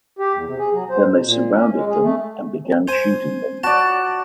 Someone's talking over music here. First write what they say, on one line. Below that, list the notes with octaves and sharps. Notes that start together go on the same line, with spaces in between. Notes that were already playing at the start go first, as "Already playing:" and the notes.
Then they surrounded them and began shooting them.
G4
E2
C3
G#4
F#3
C5
B2
A#2
C#4
G#3
G#4
A3
C5 G#5
F#4 D5 A5